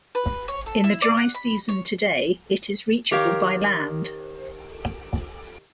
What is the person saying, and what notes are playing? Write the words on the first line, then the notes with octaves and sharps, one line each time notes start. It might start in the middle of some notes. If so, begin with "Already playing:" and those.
In the dry season today, it is reachable by land.
B4
C#5
A4
E4
D5
F#5
B5
C#5
D#3 G4 A#4 C#5 F5